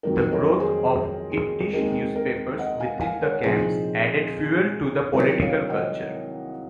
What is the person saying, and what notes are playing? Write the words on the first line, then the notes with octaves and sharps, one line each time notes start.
The growth of Yiddish newspapers within the camps added fuel to the political culture.
F2 D#3 F#3 A#3 D#4 A#4
A#4 C#5
G#4 C5
G#4
D#2 D#3 G#3 C4 D#4 A#4
A#4
D#5 F#5
F5 G#5
F5 G#5
A#4 C#5
C2 A#2 F3 C4 D#4 G#4 C5
C2 C3 D#3 F#3 A#4 C#5
C#5 F5
D#5 F#5